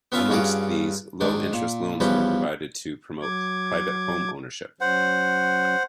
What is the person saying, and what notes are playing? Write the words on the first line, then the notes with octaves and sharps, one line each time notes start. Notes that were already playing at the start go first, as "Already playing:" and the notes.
Amongst these, low interest loans were provided to promote private home ownership.
B3 C#4 F4 E5 F5 A5
G2 C#4 F4 F#4 G#4 D6
G#2 D#3 D4
A#2
E2 F3 G3 C#4 B4
F#3 D6 G#6
F#3 C#4 C5 F#5